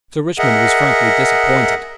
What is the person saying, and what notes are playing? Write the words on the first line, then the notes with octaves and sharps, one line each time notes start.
Sir Richmond was frankly disappointed.
G#4 A#4 D#5 E5 F#5